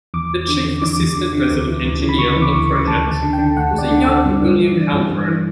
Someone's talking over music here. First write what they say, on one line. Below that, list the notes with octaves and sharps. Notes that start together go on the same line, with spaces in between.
The chief assistant resident engineer on the project was a young William Halcrow.
E2 D6
E2
D3
D3
E2 D6
E2
D3
D3
D2
E3
D2
C#3
B5
D2 C#6
E3
D6
D2
C#6
C#3
D2 A5
D2
A5
D3
G5
D3
D2 F#5
D2
D5
D3
D5
D3
G2
G2
E3
E3
G2
G2
E3